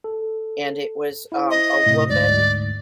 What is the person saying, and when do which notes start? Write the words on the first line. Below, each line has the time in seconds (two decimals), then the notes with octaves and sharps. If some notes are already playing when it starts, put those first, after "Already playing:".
and it was, um, a woman
0.04 A4
1.32 E4 C5
1.50 D#5
1.86 A2 C3
2.09 D2 G#2 D5